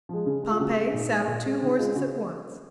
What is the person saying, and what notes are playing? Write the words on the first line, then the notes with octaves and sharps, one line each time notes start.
Pompey, saddle two horses at once.
F3 G#3
C#3
G#3
F4
C#3 F#4
G#3
A#2 D#4
G#3
A#2
G#3
C#3 D#4
G#3 F4
C#3 F#4